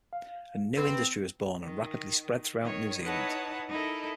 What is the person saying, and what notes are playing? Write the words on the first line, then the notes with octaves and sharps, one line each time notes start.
A new industry was born and rapidly spread throughout New Zealand.
F5
C4 B4
D#3
D#3 C#5
D#4 E4 B4 C#5 F#5 A5
D#4 E4 A4 A#4